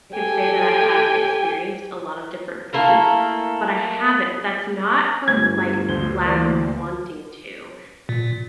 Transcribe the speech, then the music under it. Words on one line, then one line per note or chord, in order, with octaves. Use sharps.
I could say that I have experienced a lot of different foods, but I haven't, but that's not for, like, lack of wanting to,
G4 A4 G5 G#5
A3 A#3 E4 A#4
G1 D2 G#6
D2 F3 C5 G7
E3 A#3 C5 D5
A#2